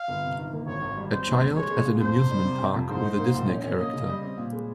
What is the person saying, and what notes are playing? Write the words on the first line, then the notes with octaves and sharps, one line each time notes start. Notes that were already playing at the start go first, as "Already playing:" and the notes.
A child at an amusement park with a Disney character.
Already playing: F5
G1
C3
D#3
A#3
G#1 C#5
G#1
G3
C4 C5
D#2
C4
G#3 C#5
G#3
A#2
F2 C5
C3
G3
C3
C3
F2
G#2 C5
D#4
A#3
A#1
C#4
C#4
A#3 D#5
C#3
G3
C4
A#2
G#3